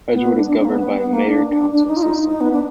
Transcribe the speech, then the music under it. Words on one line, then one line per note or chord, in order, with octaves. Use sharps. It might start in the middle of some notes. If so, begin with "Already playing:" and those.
Edgewood is governed by a mayor-council system.
B3
D4
D4
D4
A#3
B3
B3
B3
A#3
D4
D4
D4
D#4
F4
D#4
D#4
B3
D4